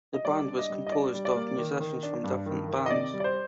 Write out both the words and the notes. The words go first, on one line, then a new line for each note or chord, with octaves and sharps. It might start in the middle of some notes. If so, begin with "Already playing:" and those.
The band was composed of musicians from different bands.
D#5
G3 D5
D4
D#5
G3
D#5
D4 D5
G3
D5
A#3
D#3
D#3
D4
G2
D#3
D#3
D#5
C3 D5
G3
D5
C5